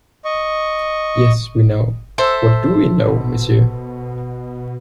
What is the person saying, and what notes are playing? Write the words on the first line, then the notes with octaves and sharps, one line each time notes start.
Yes, we know — what do we know, monsieur?
D#5 C#6
A4 C5 E5
B2